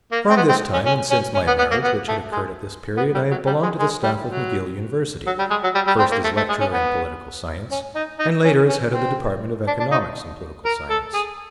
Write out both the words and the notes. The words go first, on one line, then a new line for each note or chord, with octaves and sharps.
From this time, and since my marriage, which had occurred at this period, I have belonged to the staff of McGill University, first as lecturer in Political Science, and later as head of the department of Economics and Political Science.
A#3
C4
B3
C4
C#4
C#4
C#4
C#4
B3
B3
A#3
B3
A3
G#3
B3
G3
F#3
G3
G#3
G#3
G3
F#3
F#3
G3
G#3
F#3
G3
G3
C4
A#3
A3
A3
G#3
C#4
B3
C#4
D#4
D#4
C#4
C#4
C4
D4
D4
D#4
A#4
A4
G#4